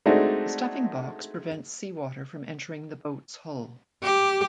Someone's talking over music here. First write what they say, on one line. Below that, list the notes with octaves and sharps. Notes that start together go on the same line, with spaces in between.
The stuffing box prevents sea water from entering the boat's hull.
G#3 A3 C4 D4 D#4 F#4
G4